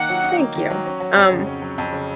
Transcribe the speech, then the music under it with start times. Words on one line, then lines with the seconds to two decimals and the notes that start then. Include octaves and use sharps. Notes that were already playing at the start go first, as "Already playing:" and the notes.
Mm, thank you. Um,
Already playing: D#3 A#3 D#4 F#5
0.09 F#3
0.24 D#4
0.39 A#3
0.55 D#3
0.70 F#3
0.86 C#4
1.00 F#3
1.17 F2
1.31 C#3
1.47 C#4
1.62 F#3
1.78 F2
1.93 C#3